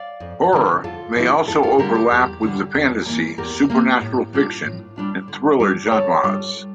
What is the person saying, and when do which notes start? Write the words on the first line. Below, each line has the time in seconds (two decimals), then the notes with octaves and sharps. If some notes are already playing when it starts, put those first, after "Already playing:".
Horror may also overlap with the fantasy, supernatural fiction and thriller genres.
Already playing: D5 F5
0.20 F2
0.53 D3 F3 A3 E4
0.84 F2 F4 A4
1.16 D3 F3 A3 E4
1.47 E2 F4 A4
1.63 F4 A4
1.79 D3 G3 G4 A#4
1.95 G4
2.11 E2 G4
2.43 D3 G3
2.74 E2
3.06 E3 A#3
3.38 E2 G4 A#4
3.70 E3 A#3
4.01 A2
4.33 G3 D4 F4
4.65 A2
4.96 G3 D4 F4
5.28 D3
5.60 G3 D4 F4
5.86 A#4
5.91 D3 A4 C#5
6.24 G3 D4 F4